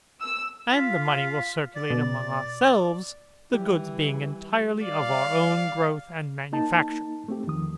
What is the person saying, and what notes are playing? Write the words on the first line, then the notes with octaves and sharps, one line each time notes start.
And the money will circulate among our selves, the goods being entirely of our own growth and manufacture.
E6
F4 F5 B6
D5 A6
B2
E3 G3 G4
D5 F5
A#3 D#4 A5
A3 C4 G4
E2 D#3 F3 D#6